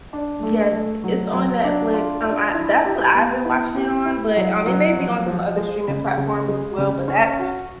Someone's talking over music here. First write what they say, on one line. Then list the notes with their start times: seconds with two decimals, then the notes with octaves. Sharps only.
Yes, it's on Netflix, um, I that's what I've been watching it on, but, um, it may be on some other streaming platforms as well, but that's
0.13 D4
0.43 A3
0.73 A3
1.04 F#3
1.33 F#3
1.64 D4
1.94 F4
2.24 D4
2.54 E4
2.85 G4
3.15 B3
3.45 E4
3.76 G4
4.06 E4
4.36 F#3
4.66 F#3
4.97 F3
5.26 F3
5.56 G#3
5.88 C#3
6.18 C#3
6.48 G#3
6.78 C#3
7.08 C#4
7.39 F#4